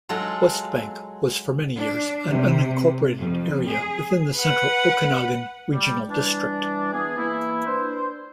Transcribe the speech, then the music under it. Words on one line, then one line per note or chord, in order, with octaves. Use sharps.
Westbank was for many years an unincorporated area within the Central Okanagan Regional District.
F#3 G#3 F4 A4
D4
C3
F2
G#4
B4 F#5
G3
E3 G3 D4
E3 B3 G#4
E3 A#3 E4
D4 B4 C5